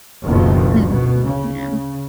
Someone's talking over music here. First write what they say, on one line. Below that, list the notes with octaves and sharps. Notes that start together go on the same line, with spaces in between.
Mhm, yeah.
F#1 D2 B2 D#3 F3
B2
C#3